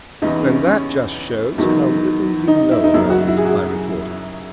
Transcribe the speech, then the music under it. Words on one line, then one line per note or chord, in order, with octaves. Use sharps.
"Then that just shows how little you know about it," I retorted.
E2 C#3 E3 D#4
C#4
C#4
E2 D#3 F#3
D#4
E4
D#4
F#2 C#3 F#3 E4
F#4
E4
G#4
F#4